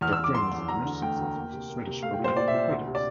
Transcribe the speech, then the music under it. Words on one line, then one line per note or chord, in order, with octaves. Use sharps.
The film was a huge success with the Swedish public and critics.
E2 F6
E6
E2
D6
E2 C6
E2
D2 A#5
D3
A3 G5
D2
A#3
C3
A#3
C3
A3 F5
G5
A#2
C5
A#2 D5
E5
A#2
D2
C3
D5